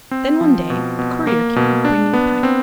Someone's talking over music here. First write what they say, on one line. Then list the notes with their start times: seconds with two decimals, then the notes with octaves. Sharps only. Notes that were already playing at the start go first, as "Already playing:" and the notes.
Then one day a courier came, bringing a packet.
0.11 C4
0.41 F3
0.70 B2
0.99 B2
1.27 A#3
1.56 B2
1.85 D4
2.13 B3
2.43 C4